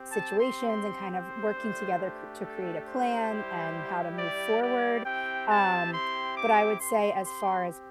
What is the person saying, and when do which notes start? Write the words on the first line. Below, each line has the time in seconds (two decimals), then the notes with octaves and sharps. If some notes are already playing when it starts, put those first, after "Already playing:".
situations and kind of working together cr to create a plan and how to move forward. Um, but I would say as far as
Already playing: C4 G4
0.09 A5
0.39 C6
0.67 C6
1.12 C5
1.55 A3 D4 G4
2.42 A4
2.86 C5
3.30 G3 E4 G4
4.18 D5
4.61 D5
5.04 C4 E4 G4 G5
5.49 A5
5.92 C6
6.36 D6
6.80 C4 G4 C6
7.24 C6